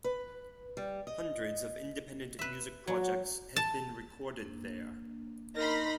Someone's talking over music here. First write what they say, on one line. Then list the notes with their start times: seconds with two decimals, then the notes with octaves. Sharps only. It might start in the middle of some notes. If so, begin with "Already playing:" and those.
Hundreds of independent music projects have been recorded there.
0.04 B4
0.77 G3
1.07 D#5
2.39 B4 E5
2.87 F#3 F#4
3.56 A5
4.41 A#3 D4
5.56 D#4 A#4 B5 C6 A#6